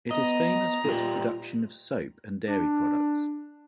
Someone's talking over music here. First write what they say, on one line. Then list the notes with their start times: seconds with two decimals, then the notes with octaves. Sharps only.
It is famous for its production of soap and dairy products.
0.11 B3 D#5 A#5
0.85 A#2 G3 F4
2.47 D4